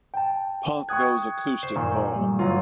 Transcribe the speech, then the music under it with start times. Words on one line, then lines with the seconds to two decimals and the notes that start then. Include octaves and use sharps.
Punk Goes Acoustic Vol.
0.14 G5 A5
0.89 G5 C#6 D#6 F#6 G#6
1.63 C5
1.76 F#2 A#2 D#3
2.16 G3 A3
2.39 G1 F#3 F4